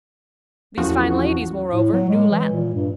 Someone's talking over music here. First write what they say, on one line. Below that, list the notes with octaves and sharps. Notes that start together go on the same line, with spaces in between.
These fine ladies, moreover, knew Latin.
A1 E2 F3 F#4
A2
F#3
G#3
E3
A#2
G2